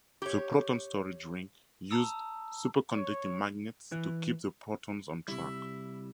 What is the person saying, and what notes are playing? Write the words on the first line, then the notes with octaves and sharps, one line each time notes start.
The proton storage ring used superconducting magnets to keep the protons on track.
G4 C#5
A5 A#5 D#6 E6
C#5
E3
C3 G3 E4